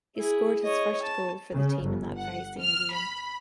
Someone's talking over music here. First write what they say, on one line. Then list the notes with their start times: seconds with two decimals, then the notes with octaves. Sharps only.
He scored his first goal for the team in that very same game.
0.16 E4 G#4
0.63 C#5 D#5
1.02 A5
1.52 C#3
1.82 G1
2.16 F#5
2.59 F6
2.94 B5